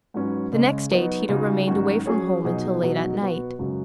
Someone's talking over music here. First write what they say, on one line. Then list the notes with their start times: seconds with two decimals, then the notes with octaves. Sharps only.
The next day Tito remained away from home until late at night.
0.14 G#2 F#3 C#4 B4
0.52 C#3 G#3 C#4
0.91 F#3 B3 D#4 F#4
1.29 C#3 G#3 D#4 F#4
1.67 G#2 D#3 F#3 C#4 F#4
2.06 F#3 C#4 G#4 C#5
2.44 B2 F#3 D#4 G#4
2.82 B2 F#3 D#4
3.21 B2 B3 F#4 B4
3.59 F#2 C#3 G#3 C#4 F#4